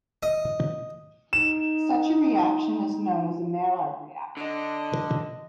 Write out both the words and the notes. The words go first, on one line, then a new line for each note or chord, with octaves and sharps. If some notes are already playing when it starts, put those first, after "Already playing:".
Such a reaction is known as Maillard reaction.
D#5
D#4 E7
D3 D#5